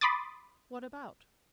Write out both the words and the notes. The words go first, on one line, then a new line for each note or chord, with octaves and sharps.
"What about?"
B5 C6 D6 D#6 A6